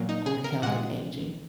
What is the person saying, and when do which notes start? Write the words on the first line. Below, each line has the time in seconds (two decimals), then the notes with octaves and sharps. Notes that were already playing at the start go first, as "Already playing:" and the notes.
on health and aging
Already playing: A#2 F#3 A#3
0.09 D#4
0.26 G#4
0.44 A#4
0.62 A#2 F#5
0.67 G#3